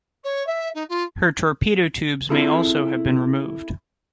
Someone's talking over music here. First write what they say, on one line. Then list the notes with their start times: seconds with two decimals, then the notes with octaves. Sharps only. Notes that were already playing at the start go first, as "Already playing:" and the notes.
Her torpedo tubes may also have been removed.
0.24 C#5
0.46 E5
0.74 D#4
0.89 F4
2.30 C4 E4 F4 G#4 A4